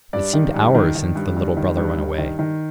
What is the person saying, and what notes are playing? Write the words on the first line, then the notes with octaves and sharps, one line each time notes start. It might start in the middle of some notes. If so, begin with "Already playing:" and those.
It seemed hours since the little brother went away.
G2 D5
D#3
G2
D#3
D#3
G2
G2
D#3
G2
G2
D#3
D#3